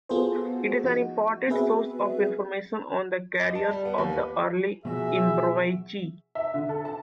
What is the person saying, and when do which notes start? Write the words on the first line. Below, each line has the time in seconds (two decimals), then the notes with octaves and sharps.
It is an important source of information on the careers of the early Embriachi.
0.09 B3 F4 F#4 G#4 A4 C5
0.84 F3 D#4 F#4
1.48 B3 C4 F#4 G#4 B4 E5
3.43 D#5
3.55 A5
3.71 G3
3.85 B3
3.98 D#2
4.13 B4
4.85 B2 F3 B3 F#4 G#4 E5
6.35 E5
6.54 D3
6.69 A4
6.85 A5